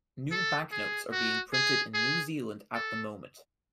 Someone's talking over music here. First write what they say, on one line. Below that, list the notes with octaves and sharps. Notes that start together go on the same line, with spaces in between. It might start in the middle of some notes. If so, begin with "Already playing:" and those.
New banknotes are being printed in New Zealand at the moment.
A4
G#4
F#4
G#4
G#4
A4